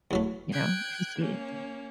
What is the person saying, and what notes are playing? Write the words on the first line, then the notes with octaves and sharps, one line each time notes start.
you know, if you see it.
E2 F#3 A3
G5 F#6 G#6
A#3 C#4